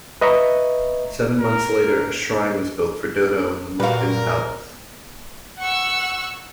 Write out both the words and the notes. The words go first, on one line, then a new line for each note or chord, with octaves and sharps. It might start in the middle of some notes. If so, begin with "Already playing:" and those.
Seven months later, a shrine was built for Dodo in the Mukden Palace.
B4 D#5 E5 A#5 C#6 D#6
A#4
A#2 G3 F#4 A#4 B4 F5
F#5 C#6 E6